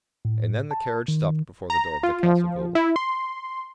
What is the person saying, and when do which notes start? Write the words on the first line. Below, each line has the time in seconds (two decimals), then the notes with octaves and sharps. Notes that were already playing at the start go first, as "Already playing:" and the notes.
And then the carriage stopped before the door of the Casa Gould.
0.25 A2
0.71 A5
1.08 D#3
1.70 A#5
2.03 F4
2.23 F3
2.75 E4
2.96 C6